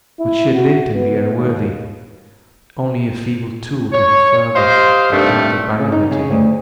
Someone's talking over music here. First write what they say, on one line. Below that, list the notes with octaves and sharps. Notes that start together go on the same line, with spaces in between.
But should Linton be unworthy--only a feeble tool to his father--I cannot abandon her to him!
E4
F#4
B3
D#2
C#5
G4 C5 D#5 F5
G2 C3 D#3 A3
C#3
D#4
C#3
D2